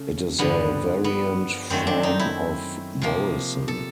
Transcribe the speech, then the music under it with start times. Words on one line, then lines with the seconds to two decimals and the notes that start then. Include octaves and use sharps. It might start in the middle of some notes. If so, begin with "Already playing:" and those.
It is a variant form of Morrison.
Already playing: C#3 A3
0.38 G2 D3 F3 B3
1.04 B3
1.70 F#2 D#3 F#3 A3 C4
1.87 D4
2.03 D#4
2.19 E4
3.02 C3 F3 A#3
3.68 A4